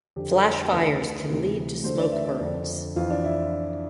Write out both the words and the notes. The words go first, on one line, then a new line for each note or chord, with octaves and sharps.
Flash fires can lead to smoke burns.
F2 D3 G4
A4
A4
D2 D3 B4
D2 C3 E3
D2 D3 C5
D5
E5
D5
F2 D3
F2 E3 F4
D4
E4